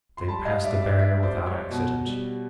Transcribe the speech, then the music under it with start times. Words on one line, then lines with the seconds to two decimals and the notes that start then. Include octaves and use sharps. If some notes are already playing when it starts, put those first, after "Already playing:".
They passed the barrier without accident.
0.17 C6
0.27 G3 A5 B5
0.45 D#5 F5
0.64 G3 D5 E5
0.81 D5 E5
0.99 G3 D5 E5
1.23 C5 D5
1.35 G3
1.46 C#5
1.70 B2
2.06 G3